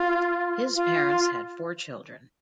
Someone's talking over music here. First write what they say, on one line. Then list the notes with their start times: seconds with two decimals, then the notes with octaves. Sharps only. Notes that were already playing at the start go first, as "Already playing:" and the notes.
His parents had four children.
Already playing: F4
0.75 F4